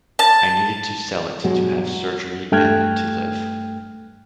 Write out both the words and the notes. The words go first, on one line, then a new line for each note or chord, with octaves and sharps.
I needed to sell it to have surgery and to live.
A5
G2 B2 F#3 G#3
G2 A3 G5 F6 F#6 G#6